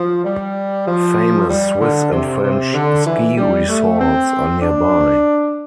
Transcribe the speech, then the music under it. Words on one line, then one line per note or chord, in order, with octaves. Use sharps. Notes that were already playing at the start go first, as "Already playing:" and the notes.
Famous Swiss and French ski resorts are nearby.
Already playing: F3
G3
F3
G3
D3
C3
C3
D3
E3
G3
A3
C4
D4